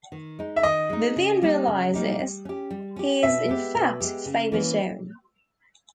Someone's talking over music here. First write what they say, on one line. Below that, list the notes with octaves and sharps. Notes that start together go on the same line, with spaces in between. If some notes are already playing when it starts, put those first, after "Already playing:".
Vivian realizes he is in fact Faber John.
D#3
G#3 D#4
E5
D#3 D#5
G#3 D#4
C#3
G3 A#3 D#4 G4
C#3
G3 A#3 D#4 G4
G3
C#4 G4
G3
C#4 G4
B2 E5
G#3 B3 G4
B2
G#3 B3 G4
C#3
E3 A#3 C#4